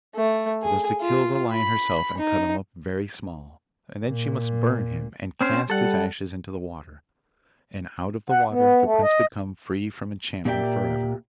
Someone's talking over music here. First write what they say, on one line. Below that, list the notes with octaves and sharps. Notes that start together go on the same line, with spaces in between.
She was to kill the lion herself and cut him up very small; then she must burn him, and cast his ashes into the water, and out of the water the prince would come free from enchantment for ever.
A3
G#4
F4
B5
D#4
A#2
C4 C#4 C5
G3 A4 F#5
F#5
B3
A3
D#5
A#2 A#3 G4 D5 E5 G5